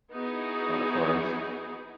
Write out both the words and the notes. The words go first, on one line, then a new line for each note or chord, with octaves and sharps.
bot farms.
B3 D#4 E4 F#4 G#4